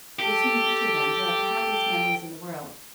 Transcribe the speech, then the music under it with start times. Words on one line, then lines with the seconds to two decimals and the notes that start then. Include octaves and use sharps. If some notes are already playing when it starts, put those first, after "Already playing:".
They seemed each of them to have the happiest memories in the world.
0.19 G4 A4